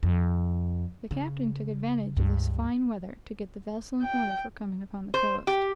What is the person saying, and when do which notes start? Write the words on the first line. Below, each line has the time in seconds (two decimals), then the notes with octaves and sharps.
The captain took advantage of this fine weather to get the vessel in order for coming upon the coast.
0.03 F2
1.11 C#3
2.17 C#2 G2
4.02 G5
5.14 C5
5.47 G4